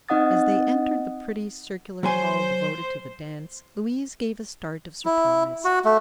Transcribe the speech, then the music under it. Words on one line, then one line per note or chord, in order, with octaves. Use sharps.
As they entered the pretty, circular hall devoted to the dance Louise gave a start of surprise.
C4 D#4 D#5 F#5 D#6 A6
F#3 C5 C#5 G#5
E4
F#4
A3